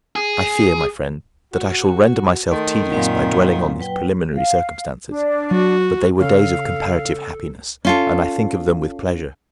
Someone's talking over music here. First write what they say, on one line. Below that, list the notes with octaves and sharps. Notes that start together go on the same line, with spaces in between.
I fear, my friend, that I shall render myself tedious by dwelling on these preliminary circumstances; but they were days of comparative happiness, and I think of them with pleasure.
G#4
F#4
D#3 A3 A4 C6
F#2 A#2 F#3 C4 F5
F#3 B4 G5
F5
D4
F#3 F#4
C#3 A4 F5
C#4 F4 A4